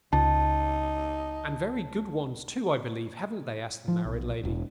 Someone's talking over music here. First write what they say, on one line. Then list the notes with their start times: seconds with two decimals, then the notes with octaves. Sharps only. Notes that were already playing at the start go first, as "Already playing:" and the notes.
'And very good ones too, I believe, haven't they?' asked the married lady.
0.13 C#2 D#4 A5
3.88 F3
4.05 B1
4.43 E1